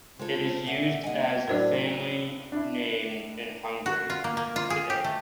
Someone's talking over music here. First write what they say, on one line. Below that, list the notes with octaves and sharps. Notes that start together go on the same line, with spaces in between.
It is used as family name in Hungary today.
C#3 G#3 F4 A4 C5
A#2 E5 F#5
G3 A#3 D#5 F#5 G#5
A2 F#3 D4 A#4 C5 D5
D4 E4
F#4
F4
A#3
A#3
F4
G#4
G4
A3